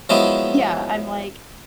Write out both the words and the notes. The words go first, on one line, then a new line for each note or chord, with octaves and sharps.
Yeah, I'm like
F3 F#3 G#3 B3 E4